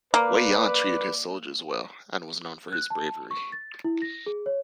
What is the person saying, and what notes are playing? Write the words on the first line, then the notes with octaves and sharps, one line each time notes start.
Wei Yan treated his soldiers well and was known for his bravery.
A#3 B4 D5
F#6
A5
C#6
A6
E4
A#6
G#4
C#5